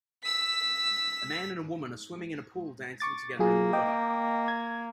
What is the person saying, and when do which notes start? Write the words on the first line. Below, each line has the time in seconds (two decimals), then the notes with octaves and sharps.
A man and a woman are swimming in a pool dancing together in the water.
0.23 E6 B6
3.00 C#6 D6 A6
3.39 F#3 A#3 F4 G#4
3.73 D#5 G5 D6
4.48 G#6